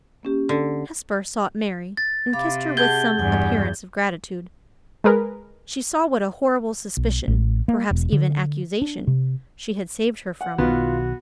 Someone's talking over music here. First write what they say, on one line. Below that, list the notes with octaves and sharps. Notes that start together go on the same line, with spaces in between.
Hesper sought Mary, and kissed her with some appearance of gratitude. She saw what a horrible suspicion, perhaps even accusation, she had saved her from.
A#3 C#4 G4
D3
A6
C3 F5 B5 D6
G#4 F#5 A5 G6 G#6 G7
E2 G2 F#5 G#5
G#3 G#4 A#4 B4
B1
A1
A#3
E1
D3
D4
C3
F#5
B1 B2 D#3 B3 F4 F#4